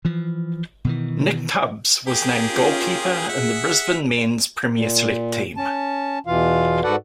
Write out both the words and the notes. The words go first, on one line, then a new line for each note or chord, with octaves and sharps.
Nick Tubbs was named Goalkeeper in the Brisbane Men's Premier Select Team.
E3 F3
B2 D#3 E3
A#3 G4 G#4
C#4 F4
G#4 E5 F#5
A#2
C#4 A5
E2 B2 E3 F4 F5
G#2 F#4 A4 B4 D5 F#5